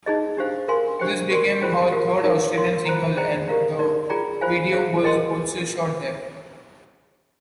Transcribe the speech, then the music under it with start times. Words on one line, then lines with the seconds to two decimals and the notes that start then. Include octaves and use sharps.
This became her third Australian single, and the video was also shot there.
0.06 D#4 G#4 D#5
0.37 D4 G4 C5 F5
0.68 A#4 F5 G#5 C6
0.99 D4 G4 C5 G5
1.31 G4 A#4 D5 G5 C6
1.61 F4 G#4 C5 G5
1.92 G4 A#4 F5
2.23 D#4 A#4 F5
2.55 A#4 F5 C6
2.86 F4 C5 G5 A#5
3.17 G#4 C5 G5 A#5
3.48 G4 A#4 F5 A#5
3.79 D#4 A#4 D5
4.09 F4 G#4 D5 G5 A#5
4.41 F4 C5 F5 G#5
4.72 G#4 C5 F5
5.03 A#4 D#5 G5 C6